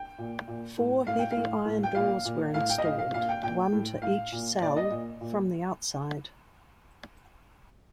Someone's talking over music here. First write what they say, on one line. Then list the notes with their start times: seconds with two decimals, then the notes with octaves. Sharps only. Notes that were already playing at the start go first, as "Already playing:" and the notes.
Four heavy iron doors were installed, one to each cell, from the outside.
Already playing: G5
0.18 A#2
0.48 A#2
0.78 A2
1.06 A2 F5
1.19 G5
1.31 F5
1.36 A2
1.65 A2
1.83 G5
1.95 A#2 F5
2.25 A#2
2.54 A2 F5
2.69 G5
2.78 D#5
2.84 A2 F5
2.99 F5
3.14 A#2 F5
3.29 G5
3.43 A#2 G5
3.72 A2
4.02 A2 F5
4.32 A#2
4.61 A#2 D5
4.77 D#5
4.91 A#2
5.21 A#2